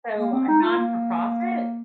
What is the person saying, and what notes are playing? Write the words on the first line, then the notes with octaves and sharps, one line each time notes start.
So a non-for-profit?
A#3
C4
D#4
F4
A#3